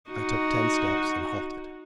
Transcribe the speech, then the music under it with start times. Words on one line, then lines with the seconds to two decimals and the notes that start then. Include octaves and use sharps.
I took ten steps, and halted.
0.10 D#4 F#4